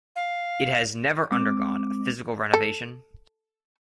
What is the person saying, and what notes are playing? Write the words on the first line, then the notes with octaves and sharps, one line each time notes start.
It has never undergone a physical renovation.
F5
G#3 C4 D6
A4